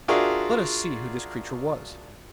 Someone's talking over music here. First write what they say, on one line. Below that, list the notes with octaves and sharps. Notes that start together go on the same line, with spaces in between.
Let us see who this creature was.
D4 F4 F#4 G#4 A#4 E5